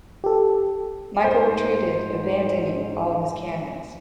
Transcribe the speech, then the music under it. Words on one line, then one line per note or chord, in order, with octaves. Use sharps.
Michael retreated, abandoning all his cannons.
G4 A4
G#2 C5